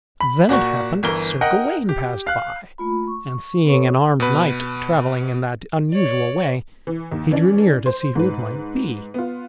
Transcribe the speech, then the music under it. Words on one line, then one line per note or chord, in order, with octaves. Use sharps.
Then it happened Sir Gawain passed by and seeing an armed knight travelling in that unusual way he drew near to see who it might be.
B5
A#2 F#4 D5 C#6
G1 E3 A#4 G7
A#4 D#5 F#5 G5
G4
F5 F#6
A3 A#3 F4 B5
C#6
B3 C4 A4 B4 C#5 C#6
B2 B4
C#5 D5
E3
D#2
E3 C#4 D4
C5
G#2 B4
B3 F4